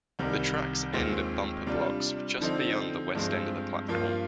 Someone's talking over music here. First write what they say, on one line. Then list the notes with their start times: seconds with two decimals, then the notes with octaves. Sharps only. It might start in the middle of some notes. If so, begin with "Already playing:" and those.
The tracks end at bumper blocks just beyond the west end of the platform.
0.19 C2 C3 D#3 G3
0.93 D#2 D#3 G#3 C4 F4
1.66 C3 G3 D4 F4
2.41 D3 F3 C4 D#4
3.15 G2 F3 G#3 C4
3.88 G2 F3 A#3 F4